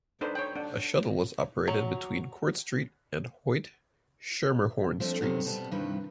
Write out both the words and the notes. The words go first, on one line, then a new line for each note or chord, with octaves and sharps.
A shuttle was operated between Court Street and Hoyt-Schermerhorn Streets.
D4 D#4 A4 B4 C5
C#5 G5
D4 F#5
F#3
F3 A3 C4 D4
F#2 C3 D#3 B3
B2 G3 B3 C4 A5
G2 C3 D#3 E3 B4